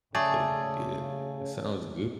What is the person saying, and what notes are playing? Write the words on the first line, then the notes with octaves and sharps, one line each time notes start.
Okay, good. That sounds good,
C#3 A3 G#4 D5